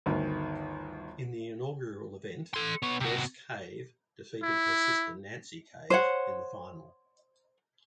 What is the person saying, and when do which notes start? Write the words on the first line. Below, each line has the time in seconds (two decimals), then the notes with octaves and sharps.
In the inaugural event, Joyce Cave defeated her sister Nancy Cave in the final.
0.06 G1 D2 D#3
2.54 A4 C6
2.83 B3 C#5
3.01 C3 F#4
4.43 E4
5.90 C5 C#5 F#5